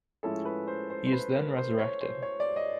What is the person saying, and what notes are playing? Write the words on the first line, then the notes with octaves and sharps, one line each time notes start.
He is then resurrected.
A2 F3 G#3 C#4 E4 A4
B4
C5
C5
C5
B4
A#4
C5
C#5
C5
C#5
D5
D#5